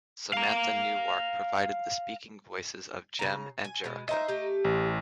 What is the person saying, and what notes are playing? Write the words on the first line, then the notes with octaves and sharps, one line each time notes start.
Samantha Newark provided the speaking voices of Jem and Jerrica.
F5 A#5
C#3 A#5
G#5
B2 G#3
D#4 C5 D#5 E5 A#5
A3 G4
A1